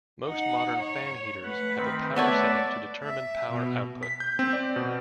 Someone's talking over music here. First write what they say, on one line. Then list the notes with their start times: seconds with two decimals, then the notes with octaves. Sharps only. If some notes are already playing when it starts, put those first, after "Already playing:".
Most modern fan heaters have a power setting to determine power output.
0.25 D#4 F#5
0.79 C#5
1.43 A3 B4 F#5
1.77 D#3 C4
2.16 A3 B3 B4 C#5 D5 E5 F#5 A5
3.04 E5
3.50 B2
4.03 B6
4.20 G6
4.39 C4
4.53 D5
4.76 B2